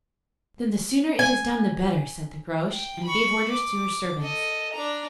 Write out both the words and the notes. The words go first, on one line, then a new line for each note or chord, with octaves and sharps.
'Then the sooner it is done the better,' said the Groac'h, and gave orders to her servants.
G#5
G5
B5 C#6
D6
A4 D#5
D4 A#5